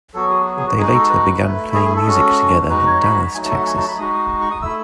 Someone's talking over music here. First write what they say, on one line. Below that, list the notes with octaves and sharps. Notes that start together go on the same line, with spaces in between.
They later began playing music together in Dallas, Texas.
F#3 B3 F#4 A4
G#4
F#4
G#4
F#4
G#3 D#4 F#4 G#4
A4
B4
A3 E4
G#4
G#4
A4
G#3 C#4 F#4
G#3 D#4 F#4 B4
C#5
B5
F#3 A3 D#4 F#4 G#5
A5
E5
F#5
G#5
A5
B5
G#3 D#4 F#4 D#6
D#6
C#6
D#6
A3 E4 E6